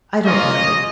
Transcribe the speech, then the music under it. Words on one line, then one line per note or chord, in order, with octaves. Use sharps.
I don't know.
A#3 C#4 F4 D#5